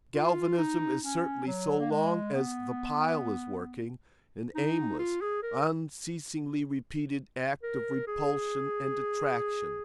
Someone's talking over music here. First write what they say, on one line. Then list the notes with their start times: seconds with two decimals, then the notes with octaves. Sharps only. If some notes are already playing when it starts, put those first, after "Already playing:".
Galvanism is certainly, so long as the pile is working, an aimless, unceasingly repeated act of repulsion and attraction.
0.15 F4
0.58 D#4
1.03 C#4
1.47 F#3
1.80 A#3
1.91 G#3
2.34 B3
4.55 D#4
4.99 F4
5.21 G#4
5.43 A#4
7.63 A#4
8.07 G#4